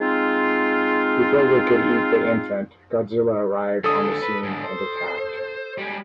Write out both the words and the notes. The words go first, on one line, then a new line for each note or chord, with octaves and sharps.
Before they could eat the infant, Godzilla arrived on the scene and attacked.
G#3 C4 D#4 F4
D3 G#3 A4 D#6
B4
G#2 D3
C5
G3 G#3